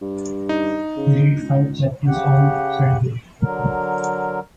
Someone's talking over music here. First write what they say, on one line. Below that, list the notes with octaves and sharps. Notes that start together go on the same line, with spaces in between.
Read five chapters on Sunday.
G2
D#4
C#3
C#2
C#3 G4 F#5
D3 F#3 A#4